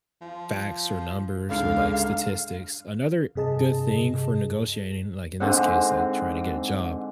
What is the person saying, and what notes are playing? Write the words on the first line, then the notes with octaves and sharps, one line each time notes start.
facts or numbers or like statistics, another good thing for negotiating, like in this case, like trying to get a job,
F3
C#2 G#2 D3 G#3 F5
G2 C3 G#4 D#5 A5
G#2 D3 C4 F#5